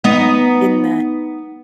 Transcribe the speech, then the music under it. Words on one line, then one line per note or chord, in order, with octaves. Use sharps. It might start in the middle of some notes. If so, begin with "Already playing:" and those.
in that,
B3 D#4